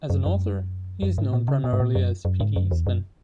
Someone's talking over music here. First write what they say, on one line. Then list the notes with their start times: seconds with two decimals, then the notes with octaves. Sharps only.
As an author, he is known primarily as P. D. Eastman.
0.10 F#2
0.26 F#2
1.02 F#2
1.18 G#2
1.33 A#2
1.48 C#3
1.64 B2
1.73 G#2
1.80 A#2
1.95 F#2
2.25 F#2
2.40 G#2
2.56 F#2
2.71 E2
2.87 F#2